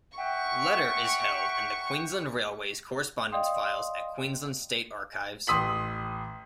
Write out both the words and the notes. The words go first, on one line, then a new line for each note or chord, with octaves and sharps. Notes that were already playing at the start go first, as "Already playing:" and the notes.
Letter is held in the Queensland Railways correspondence files at Queensland State Archives.
E5 F#5 G5 C#6
D5 D#5 F5 G5 C6 D#6
A1 C6 D#6 B6 F#7